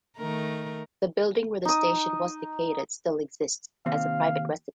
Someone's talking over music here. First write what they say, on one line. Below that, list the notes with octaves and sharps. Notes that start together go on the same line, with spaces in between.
The building where the station was located still exists as a private residence.
D#3 A3 A#4
D#4 D#6
D#2 C3 C4 F5